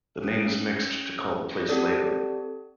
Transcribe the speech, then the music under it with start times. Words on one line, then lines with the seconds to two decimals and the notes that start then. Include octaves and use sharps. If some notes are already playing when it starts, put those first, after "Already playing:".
The names mixed to call the place Leybourne.
0.24 C#4
1.69 C4 G4 A4 D5